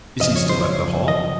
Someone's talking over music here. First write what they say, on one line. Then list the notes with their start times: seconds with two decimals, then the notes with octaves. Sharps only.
"Is he still at the Hall?"
0.21 F#2 C#3 F3 D#5
0.36 C#5
0.49 C5
0.65 C#5
1.08 D#5